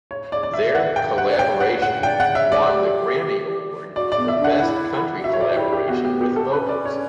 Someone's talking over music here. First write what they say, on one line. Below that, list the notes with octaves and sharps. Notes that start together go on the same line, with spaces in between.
Their collaboration won the Grammy Award for Best Country Collaboration with Vocals.
C#5
D5
D5
E5
F#5
G5
F#5
D5
C#5 G5
F#5
F#5
D5 G5
F#5
C#5 E5
D5
G4
F#4 D5
D5
B3
E5
D4
F#5
D4
E4 F#5
G4
F#4 E5
C#5
D5
F#4
E4 G4
G4
B3 F#4
G4
G4
A4
C#4 B4
D5
C#5